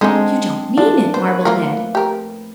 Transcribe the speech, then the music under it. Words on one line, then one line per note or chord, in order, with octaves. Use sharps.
"You don't mean it?" marveled Ned.
D3 G#3 C4 D4 D#4
F3 D4 E4 F4
A#3 B4 C5
A3 A#3 E4 F4 A#4
G4 A#4